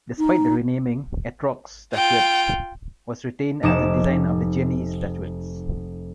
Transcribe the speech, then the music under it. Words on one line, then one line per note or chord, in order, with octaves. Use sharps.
Despite the renaming, Etrog's statuette was retained as the design of the Genie statuettes.
D#4
F4 G5
F1 D#4 D6 A#6 E7